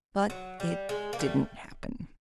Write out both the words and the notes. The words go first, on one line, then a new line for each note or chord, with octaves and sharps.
But it didn't happen.
F#3
G3
G#3
A#3
G3 A3